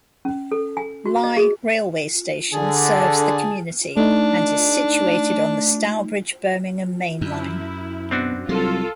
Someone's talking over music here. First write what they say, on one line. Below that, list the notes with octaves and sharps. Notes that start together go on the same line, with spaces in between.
Lye railway station serves the community, and is situated on the Stourbridge-Birmingham mainline.
C#4
A4
G#5
F#4
D#5
G#4
D3 G#4 A5
A3 D4 D#4
F#2 E4
B2 C4 D4 F#4
C2 F#3 F4 A4